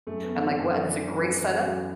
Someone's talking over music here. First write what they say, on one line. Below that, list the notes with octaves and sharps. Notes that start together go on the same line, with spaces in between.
I'm like, "What this is a great setup."
F#2 A3
B3
E3
C4
F#2 D4
E3
F#2
E3
F#2 F#4